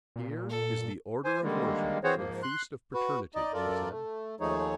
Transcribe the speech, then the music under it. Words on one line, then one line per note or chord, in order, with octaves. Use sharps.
"Here is the Order of Worship for the Feast of Paternity," he said.
A#2
A4
C5 G#5
D3 D#3 G3 G#3 A#3
E3 C4 F#4 G#4 C5 C#5
G#2 F3 A#3
C6 F#6
F#4 B4
D#4 D5 D#5
F#2 F4 A4 A#4 D5
A3
D#2 F3 A3 D#4 G#4 C#5